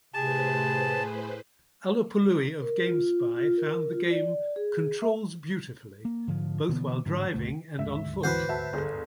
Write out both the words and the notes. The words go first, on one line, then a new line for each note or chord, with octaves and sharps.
Alupului of GameSpy found the game "controls beautifully", both while driving and on-foot.
A2 C3 G#4 B4 C5 A5
A#4
F4
F4
A#4
F4
D5
G#4
E5
A#3
G#2 D3 F3
B2 D3 E3 B3
A1 G#2 D3 F#3
G1 C#2 A3
D#1 D2 G#2 E5
E3 F#4 B4 C5
F#4 E5 A5
G1 G#4